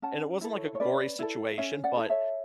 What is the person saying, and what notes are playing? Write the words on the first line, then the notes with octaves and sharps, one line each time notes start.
and it wasn't, like, a gory situation, but
C#4 F#5 A5
E4 A4
C#5
C#5
C#4 B4 D5
E4 A4
C#4 C#5 E5
D5 F#5
E4 A4
C#5 E5